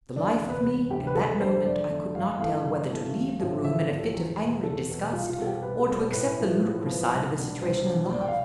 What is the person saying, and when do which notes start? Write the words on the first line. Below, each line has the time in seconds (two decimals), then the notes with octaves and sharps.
For the life of me, at that moment I could not tell whether to leave the room in a fit of angry disgust or to accept the ludicrous side of the situation and laugh.
0.16 E1 D4
0.42 D2 C3
0.50 B4
0.65 E1
0.90 D2 C3 G4
1.07 B4
1.15 F2 A4
1.40 D3 A3 C5
1.65 F2 D5
1.90 D3 A3
2.15 G2 F5
2.39 E3 A3 F5
2.64 G2
2.89 E3 A3
3.14 A1
3.39 A2 F3 A3
3.63 A1 E5
3.89 A2 F3 A3
4.14 E2
4.39 B2 B3
4.63 E2 A4
4.88 B2 B3
5.12 C2 F4
5.29 F4
5.38 B2 G3 C4 A4
5.46 G4
5.62 C2 B4
5.79 A4
5.88 B2 G3 C4
5.96 A4
6.12 A2 B4
6.37 F3 B3 E4
6.62 A2
6.86 F3 B3 E4
7.12 C2
7.37 B2 G3 D4
7.62 C2 C5
7.86 B2 G3 D4
8.11 C2 D5
8.21 G5
8.28 F5